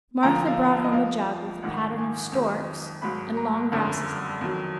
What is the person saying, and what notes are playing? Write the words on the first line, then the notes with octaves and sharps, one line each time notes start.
Martha brought home a jug with a pattern of storks and long grasses on it.
D#2 D3 F3 A#5
F5
D#5
F2 F3 F5
A#1 G#2 D#3 F#5
G#5
F2 D#3 F#3
G#1 G#2 F#3 B5
A#5
F#1 F2 D3
F2 D#3 F#3